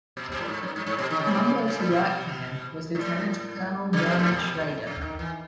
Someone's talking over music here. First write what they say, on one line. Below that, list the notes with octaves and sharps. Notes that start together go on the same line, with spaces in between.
Among those who worked for him was Lieutenant Colonel Werner Schrader.
B2
B2
A2
G#2
F#2
G#2
G#2
B2
D#3
C#3
B2
C#3
C#3
B2
A2
B2
G#2
A2
C#3
B2
A2
B2
C#3
D#3
E3